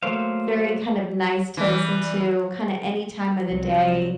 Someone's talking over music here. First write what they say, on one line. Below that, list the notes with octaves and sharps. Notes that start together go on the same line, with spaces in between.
very kind of nice to listen to kinda any time of the day,
F#3 A3 A#3 C5 F5
E3 G3
C2 F#3